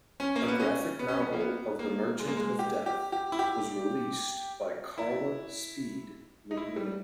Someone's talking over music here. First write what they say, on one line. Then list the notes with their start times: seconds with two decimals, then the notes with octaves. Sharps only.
A graphic novel of the Merchant of Death was released by Carla Speed McNeil.
0.20 C#4
0.36 A#3
0.48 B3
0.60 C#4
0.99 B3
1.08 C#4
1.16 B3
1.33 A#3
1.40 B3
1.79 A#3
2.19 G#3
2.27 A#3
2.37 G#3
2.59 G4
2.86 G4
3.12 G4
3.32 E4
3.39 G4
4.98 E4
6.51 D#4
6.57 E4
6.76 G3